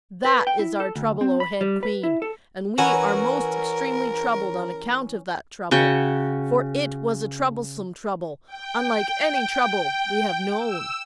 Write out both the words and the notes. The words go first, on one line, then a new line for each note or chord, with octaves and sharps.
That is our trouble, O Head Queen, and we are most extremely troubled on account of that trouble, for it was a troublesome trouble, unlike any trouble we have known.'
B4
G5
E4
A4
D2
C4
B5
G3
B4
E4
A4
E3 C#4 F#4 A#4 F#5 G#5 A#5 B5
C#3 F#4 G5
G5
E6